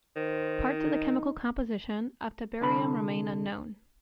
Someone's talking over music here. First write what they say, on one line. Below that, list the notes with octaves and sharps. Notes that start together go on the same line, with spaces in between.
Parts of the chemical composition of tiberium remain unknown.
D#3 C5
D#4
C2 D3 B5